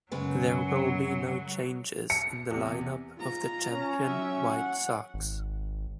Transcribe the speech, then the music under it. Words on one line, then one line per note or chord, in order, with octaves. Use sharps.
There will be no changes in the lineup of the Champion White Sox.
F#2 C#3 F#3 G#3 B4
C#7
E2 C3
G#2 F4 A#5
C#4
F#3 E5
F#5
G#1